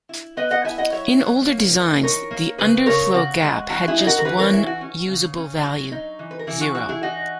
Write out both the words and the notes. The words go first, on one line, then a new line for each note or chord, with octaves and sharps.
In older designs, the underflow gap had just one usable value, zero.
E4
B3 B4 D#5
D#5 F#5
E4 E5 G#5
D#5 F#5
F#3 C#5 E5
F#3
A#3
E3
D#4 A#4 C#5
A#3
C#3 G#4 B4
C#3 A#4 C#5
C#3 F#4
G#3
E3 F#4
E4 G#4
D#4
F#4 A#4
A#4
E3 G#4 B4
A#4 C#5
E3 E4
F#4
C#4
C#3
C#4
F#3
D#4
E3
B4
A#4
E3 E4 G#4
F#4
E3 F#4
E4 G#4
D#4 F#4